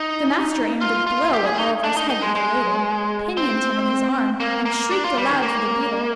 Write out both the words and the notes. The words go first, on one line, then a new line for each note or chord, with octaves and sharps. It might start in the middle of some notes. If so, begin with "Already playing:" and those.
The master aimed a blow at Oliver's head with the ladle; pinioned him in his arm; and shrieked aloud for the beadle.
Already playing: D#4
F4
F4
G4
G#4
D#4
D4
D#4
D#4
G#3
G#3
C4
A#3
A#3
D4
F4
G3
D#3
A#3